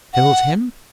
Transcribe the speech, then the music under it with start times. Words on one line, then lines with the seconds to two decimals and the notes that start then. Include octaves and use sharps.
"Killed him?"
0.13 F#5